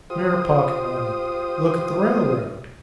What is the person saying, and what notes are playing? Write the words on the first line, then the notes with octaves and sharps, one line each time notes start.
Mere pocket money! Look at the railroad!
F4 G4 C5 D#6